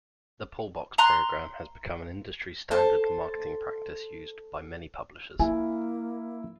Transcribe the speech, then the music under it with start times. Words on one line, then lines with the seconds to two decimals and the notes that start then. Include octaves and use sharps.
The Pullbox Program has become an industry-standard marketing practice used by many publishers.
0.98 A#5 C6 F#6
2.71 A4 C5 A5
5.39 A#3 E4 F4 G#5